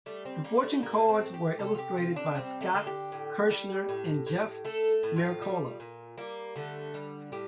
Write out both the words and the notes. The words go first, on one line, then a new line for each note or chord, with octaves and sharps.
The Fortune cards were illustrated by Scott Kirschner and Jeff Miracola.
G3 A3
C4
G3 A#3
A3
A2 A#3
C4
A3
G4
C3 A4
F4
G4
C3 F4
D4
G3 C4
A3
D3
G4
A2
G3
A2
A2
A3 A4
A2
F4
G3
A#2
G3 A#3
D3 A3
G3
A2 G4